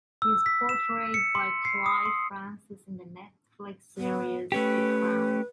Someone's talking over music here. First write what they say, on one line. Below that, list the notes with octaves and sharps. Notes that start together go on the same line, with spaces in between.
He is portrayed by Clive Francis in the Netflix series "The Crown".
E6
B6
E7
C#7
C6
C7
D#6
C6
B3
A3 C#4 G4 B4